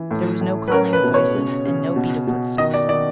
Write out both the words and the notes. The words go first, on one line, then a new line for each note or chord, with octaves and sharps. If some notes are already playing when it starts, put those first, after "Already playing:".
There was no calling of voices and no beat of footsteps.
Already playing: E3
A2
A2
B4
C#4 A#4
B4
B2
C#5
C#3
C#3
B2
B2
D#3 D#5
D5
D#3 D5